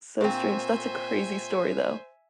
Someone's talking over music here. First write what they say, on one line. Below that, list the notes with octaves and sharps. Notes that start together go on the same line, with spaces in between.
so strange. That's a crazy story though.
A#2 C4 C5 E5 G5 G#5 C6 C#6